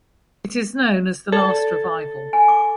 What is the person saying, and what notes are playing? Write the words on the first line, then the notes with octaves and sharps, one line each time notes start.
It is known as the Last Revival.
A4 D5
G#5
D6